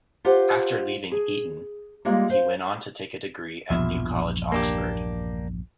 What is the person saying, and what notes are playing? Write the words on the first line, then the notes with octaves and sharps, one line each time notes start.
After leaving Eton, he went on to take a degree at New College, Oxford.
F4 G4 C5 F#5
G#4
G3 G#3 A#3 F4
C5 F5
A#1 E2 G2 B2 F3 E5
A#3 D4 G4